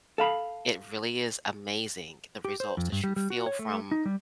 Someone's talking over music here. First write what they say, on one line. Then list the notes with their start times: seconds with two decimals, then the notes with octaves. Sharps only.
It really is amazing, the results that you feel from
0.18 A4 F5 B5
2.45 G4
2.60 C5
2.77 F2
2.92 G2
3.04 G3
3.16 G3
3.30 F#4
3.46 C#5
3.59 A3
3.91 D#4
4.06 G3